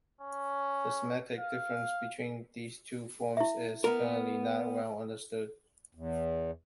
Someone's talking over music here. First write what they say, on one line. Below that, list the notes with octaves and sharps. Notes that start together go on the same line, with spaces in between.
The semantic difference between these two forms is currently not well understood.
C#4
F5
E4 E5
B3 A#4
E2